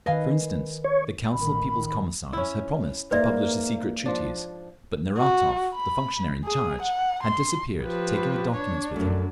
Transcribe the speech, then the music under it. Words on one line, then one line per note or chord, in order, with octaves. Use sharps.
For instance, the Council of People's Commissars had promised to publish the Secret Treaties; but Neratov, the functionary in charge, had disappeared, taking the documents with him.
D#3 B4 D#5 F5 G#5
C#5
A1 D#3 B5
C#4 E4
G#2 A#3 B4 D5 E5
F3 D4
F#4
B5
G#4
F#5
C6
F3 G4 B4
D4 C#5
F#2 F#3 A3